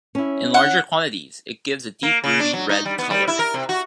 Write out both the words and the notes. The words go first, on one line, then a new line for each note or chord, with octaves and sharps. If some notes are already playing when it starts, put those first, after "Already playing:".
In larger quantities, it gives a deep ruby red colour.
C#4 E4
F#5
A#3
C#3
D4
F#3
D#4
G3
B3
G3
E4
A#4
C3
F#4